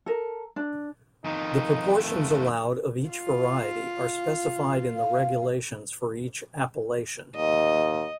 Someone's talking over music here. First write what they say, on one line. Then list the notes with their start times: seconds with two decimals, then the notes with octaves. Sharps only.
The proportions allowed of each variety are specified in the regulations for each "appellation".
0.06 A4 A#4
0.56 D4
1.25 F2 D#3 D#4
2.02 A3
3.10 F4
4.96 F5
7.36 D#2 D#5